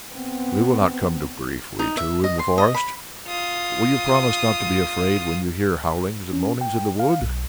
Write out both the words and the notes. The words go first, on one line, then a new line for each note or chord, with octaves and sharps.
"We will not come to grief, we two, in the forest. Will you promise not to be afraid when you hear howlings and moanings in the wood?"
B3 C4
D#4
E5
D#5
C6
D#5
B5
F4 D#6
C#4
G5
F5
B1